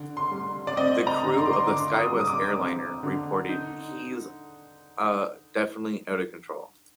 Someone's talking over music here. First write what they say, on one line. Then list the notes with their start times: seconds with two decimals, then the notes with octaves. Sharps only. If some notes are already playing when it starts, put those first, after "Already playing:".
The crew of a Skywest airliner reported "He's, uh, definitely out of control".
Already playing: D3
0.17 C6
0.31 G3
0.67 D5
0.76 C4 D#5
1.07 A#5
1.23 D3
1.38 C6
1.46 D6
1.53 C6
1.68 D3 D6
1.98 D#6
2.13 G3
2.19 D#6
2.27 D6
2.58 C4
3.03 D3
3.49 D#4